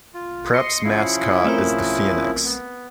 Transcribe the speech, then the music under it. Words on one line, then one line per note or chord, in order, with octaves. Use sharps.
Prep's mascot is the Phoenix.
F4
D#5 C6 C7 C#7
C#3 F3 E4
A3 C4 A#4
B3